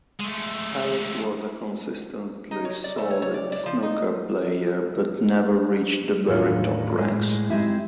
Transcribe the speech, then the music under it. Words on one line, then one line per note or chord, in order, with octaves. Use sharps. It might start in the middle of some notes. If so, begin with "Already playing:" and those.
Hallett was a consistently solid snooker player, but never reached the very top ranks.
G#3 A3
D#4
C#5
D5
A3
C#5
C#5
D5
D5
F3
D#4
E2 A2 D#3 D4 F4
A2 G#3
G#3 C4 D#4 E4 G4